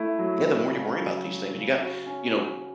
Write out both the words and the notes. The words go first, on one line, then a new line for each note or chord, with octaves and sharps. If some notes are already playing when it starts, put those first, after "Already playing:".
Yeah, the more you worry about these things, and you got, you know,
Already playing: A3 E4
F#3
A3
C#3
F#3
F#3
C#3
F#4
C#4
F#4